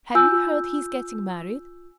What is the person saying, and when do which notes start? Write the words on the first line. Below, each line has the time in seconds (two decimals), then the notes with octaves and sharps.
Have you heard he is getting married?
0.15 F4 G#5 E6 G6